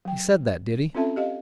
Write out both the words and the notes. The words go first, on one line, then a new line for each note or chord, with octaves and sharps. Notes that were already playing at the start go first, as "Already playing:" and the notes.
"He said that, did he?"
F#3 G5
C4 C#4 F4 A4 E5 A5
G4 D#5 F5